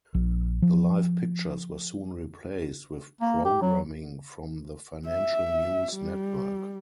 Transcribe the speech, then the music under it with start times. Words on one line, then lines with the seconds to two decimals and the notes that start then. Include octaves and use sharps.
The live pictures were soon replaced with programming from the Financial News Network.
0.14 A#1
0.62 F3
3.21 A#3
3.45 G4
3.62 F#3
5.07 E5
5.93 G3